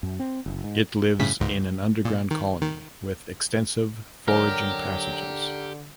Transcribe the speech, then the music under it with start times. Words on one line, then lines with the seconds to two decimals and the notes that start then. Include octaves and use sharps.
It lives in an underground colony with extensive foraging passages.
0.03 F#2
0.20 C4
0.46 F#1
0.64 G#2
1.19 A2 C#3 B6
1.40 C#2 G#2
2.05 A#2
2.31 D#3
2.62 D#3
4.28 D3 F#3 G4 A#4